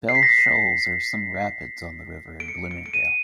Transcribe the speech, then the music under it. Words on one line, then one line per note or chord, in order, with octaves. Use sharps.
Bell Shoals are some rapids on the river in Bloomingdale.
C7
B6
A#6
B6
C7
D7
C#7
D7
D7
D#7